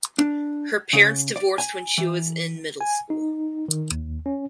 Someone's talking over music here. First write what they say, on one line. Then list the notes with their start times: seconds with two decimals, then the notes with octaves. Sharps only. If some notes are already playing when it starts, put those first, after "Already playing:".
Her parents divorced when she was in middle school.
0.18 D4
0.93 C#3
1.36 D5
1.58 G#5
1.98 E3
2.81 G#5
3.10 D#4
3.68 D#3
3.91 D#2
4.26 C#4